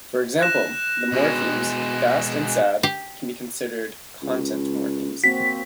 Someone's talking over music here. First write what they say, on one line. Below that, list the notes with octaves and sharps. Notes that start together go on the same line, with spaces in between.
For example, the morphemes "fast" and "sad" can be considered content morphemes.
F#6 A#6 E7
B2 G#3
G4
C#2
A#3 C4 F#4 B6